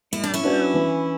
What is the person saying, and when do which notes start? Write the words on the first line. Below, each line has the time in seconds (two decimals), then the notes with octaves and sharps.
and, um,
0.12 A#3 E4
0.24 D4
0.34 C#4 E4
0.44 D4 F#4 B4
0.74 E3